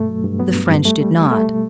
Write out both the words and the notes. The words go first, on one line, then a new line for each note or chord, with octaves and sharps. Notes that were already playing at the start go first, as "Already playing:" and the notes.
The French did not.
Already playing: G2 B2 A3
F#3
G2
F#3 B3
G2
G2
G3 A3
G3
G3
G3 A3
B2